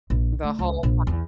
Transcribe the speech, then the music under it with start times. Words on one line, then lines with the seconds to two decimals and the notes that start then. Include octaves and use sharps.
The whole
0.10 A#1
0.43 A3
0.59 C#2
0.83 A#1
1.07 E2